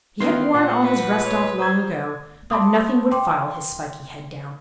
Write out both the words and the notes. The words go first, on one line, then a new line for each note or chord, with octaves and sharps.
He had worn all his rust off long ago, but nothing would file his spiky head down.
D#3 E3 B3 A#4 C6
A#2 F#5
B4
C#5
C5 D#6 G#6
A5 B5 C6 D6 D#6
G5 C6 D6